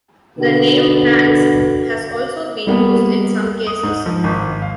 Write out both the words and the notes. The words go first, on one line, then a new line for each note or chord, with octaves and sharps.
The name "Ranx" has also been used in some cases.
B2 D3 F#4 B4
G3 A#3 B3
D#6
G#2
F3
G#1
F5